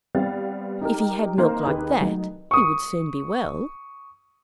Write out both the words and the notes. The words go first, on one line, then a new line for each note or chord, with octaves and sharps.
"If he had milk like that, he would soon be well!"
G3 B3 C4 F5 A6
D#4 G4 A#4
A#3 D#4 A#4 C5
D#2 D#4 G4 G#4 B4
F#3 A3 D#4
C#6 D#6